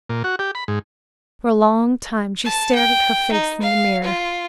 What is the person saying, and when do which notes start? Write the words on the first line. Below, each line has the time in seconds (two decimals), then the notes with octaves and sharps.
For a long time she stared at her face in the mirror.
0.09 A#2
0.24 F#4
0.39 G4
0.55 B5
0.68 G#2
2.45 A5
2.75 G5
3.32 D#4
3.62 F5
4.04 F4